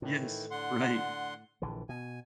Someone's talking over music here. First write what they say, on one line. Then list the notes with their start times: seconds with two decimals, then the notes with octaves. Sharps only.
Yes, right.
0.02 A2 D#3 E3
0.51 D3 F#5 C6
1.62 A#1 D3 E3
1.89 B2 G#5